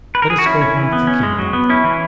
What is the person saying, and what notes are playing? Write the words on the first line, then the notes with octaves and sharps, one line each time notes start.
Let us go home thinking about that.
B4
A#4
G#4
F#4
C#4 E4
C#4
E3
B3
C#4
G#3
F#3
B3
C#4 E4
E3